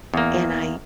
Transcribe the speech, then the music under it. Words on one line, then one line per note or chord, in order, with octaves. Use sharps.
and I
E2 A#3